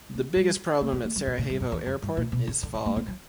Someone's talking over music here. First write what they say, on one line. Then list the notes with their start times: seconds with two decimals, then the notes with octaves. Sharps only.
The biggest problem at Sarajevo Airport is fog.
0.14 A#3
0.36 G3
0.81 A#3
0.92 B3
1.04 A#3
1.16 F#3
1.27 B2
1.38 A#2
1.50 G2
1.60 F#2
1.72 E2
1.87 F#2
2.02 G2
2.17 A#2
2.32 B2
2.47 D3
2.63 D3
2.74 D3
2.86 A#3
2.97 B3
3.08 F#3